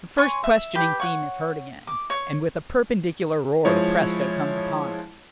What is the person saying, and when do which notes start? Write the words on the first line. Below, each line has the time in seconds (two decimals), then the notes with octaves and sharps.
The first questioning theme is heard again, and with a perpendicular roar the presto comes upon us.
0.18 C#5 G#5 C6 C#6
0.44 E5
0.75 G4 B4 G5
1.00 C#5 F#5
1.87 D6
2.10 C#5
3.65 F3 G#3 E4 C#5